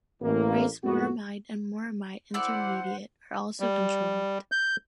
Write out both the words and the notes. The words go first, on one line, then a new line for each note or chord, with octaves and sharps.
Racemoramide and moramide intermediate are also controlled.
A1 A#3
F2 A2 G#3 A#3 F#4
E4 A4 C5 D5 F#5
G3
G6